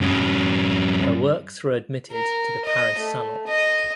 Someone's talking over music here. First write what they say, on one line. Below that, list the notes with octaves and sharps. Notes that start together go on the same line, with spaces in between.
Her works were admitted to the Paris Salon.
G2 C#4
A#4
D#5
A3
D#5